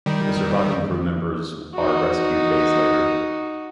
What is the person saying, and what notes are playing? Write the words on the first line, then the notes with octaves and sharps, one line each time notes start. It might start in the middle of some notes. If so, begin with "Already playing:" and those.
The surviving crew members are rescued days later.
D#3 G3
D#4 F#4